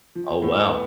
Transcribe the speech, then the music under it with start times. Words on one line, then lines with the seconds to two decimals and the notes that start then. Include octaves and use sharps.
Oh, wow.
0.15 F3
0.42 A2
0.70 B3